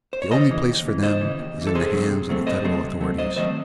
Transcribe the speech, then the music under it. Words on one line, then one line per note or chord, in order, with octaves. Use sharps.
"The only place for them is in the hands of the federal authorities."
C5
C#5
D#2 C5 D#5
C#3 E3
D#2
C#3 E3
D#2 C5 D#5
C#3 E3
D#2
C#3 E3
A4
C3 G#4 C5
F#3 A3 C4
C3
F#3 A3 C4
C3 C5 D#5
F#3 A3 C4
C3
F#3 A3 C4
G#2 C5 D#5
D#3 F#3 A3 C4 C5 D#5